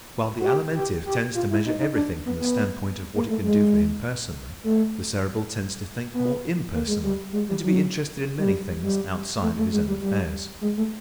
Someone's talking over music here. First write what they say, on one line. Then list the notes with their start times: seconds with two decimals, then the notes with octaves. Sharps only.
While the Alimentive tends to measure everything from the standpoint of what it can do for him personally, the Cerebral tends to think more impersonally and to be interested in many things outside of his own affairs.
0.40 F#4
0.46 G4
0.75 G4
1.05 G4
1.35 F4
1.50 E4
1.66 D#4
1.79 D#4
1.94 D4
2.25 B3
2.40 B3
3.15 A#3
3.30 A3
3.44 G#3
4.64 A3
6.14 B3
6.74 A#3
6.88 G#3
7.03 G3
7.33 G#3
7.49 G3
7.63 F#3
8.38 G3
8.82 G3
9.42 A3
9.58 A3
9.73 G#3
9.88 G3
10.01 G3
10.61 G#3
10.77 A3